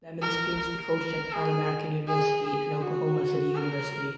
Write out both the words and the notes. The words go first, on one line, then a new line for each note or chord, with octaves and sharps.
Lemons previously coached at Pan American University and Oklahoma City University.
A#4
A#4
G#4
G#4
G#4
F#4
A#4